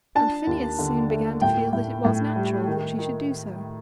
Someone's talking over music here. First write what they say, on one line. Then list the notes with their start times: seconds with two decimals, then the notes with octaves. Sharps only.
And Phineas soon began to feel that it was natural that she should do so.
0.15 D4 A5
0.47 D#2
0.79 D3
1.10 A3
1.41 A2 G5
1.73 A2
2.05 A2
2.36 G3
2.67 D#3
2.99 D#3